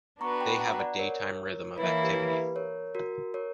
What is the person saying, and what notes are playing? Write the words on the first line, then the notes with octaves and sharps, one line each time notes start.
They have a daytime rhythm of activity.
B3 D4 F#4 B4 A#5 C#6
G5 B5
F#5 A#5
D5 F#5
A#4 C#5
E3 A#3 E4 B4
C#5
G4 B4
A#4 C#5
F#4 A#4
A#4 C#5